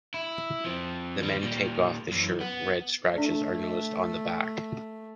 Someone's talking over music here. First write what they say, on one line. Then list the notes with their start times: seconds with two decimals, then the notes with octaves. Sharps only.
The men take off the shirt, red scratches are noticed on the back.
0.14 E4
0.65 F3 C4
1.21 D#2 G3
1.43 A#2 G3
2.12 F#2 E3
2.41 B3
3.13 A3 D4 A4 D5